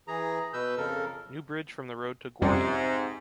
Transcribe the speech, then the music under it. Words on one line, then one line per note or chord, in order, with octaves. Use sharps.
New bridge from the road to Guàrdia.
E3 G#4 A#5
B2 B4 E6 G6
F2 C#3 A4 A#4
F2 G#2 C3 G3 C#4